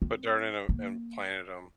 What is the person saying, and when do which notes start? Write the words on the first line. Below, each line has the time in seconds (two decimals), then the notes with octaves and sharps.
put dirt in 'em and planted 'em.
0.02 C4
0.69 A#3